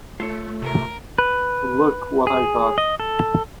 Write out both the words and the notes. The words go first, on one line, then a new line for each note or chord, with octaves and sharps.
Look What I Got!
A3 F4 A4 C#5
C3 A#4
B4
G#4
D#5
A4